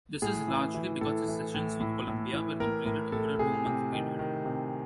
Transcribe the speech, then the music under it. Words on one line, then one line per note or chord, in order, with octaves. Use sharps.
This is largely because his sessions with Columbia were completed over a two-month period.
A2 G#4
E3
E3
A2 A4
E3
A2
A2
A2
E3
A2 A#4
A2 A#4
A2 A4
C3 G#4
C3
D#3
D#3
C3